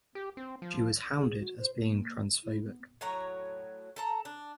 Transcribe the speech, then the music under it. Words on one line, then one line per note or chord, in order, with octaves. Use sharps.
She was hounded as being transphobic.
G4
C4
F3
G#4
F#4
C5
A#3
E4
B3
A2 F#3 C#5 A#5
A4 A5 A#5
D4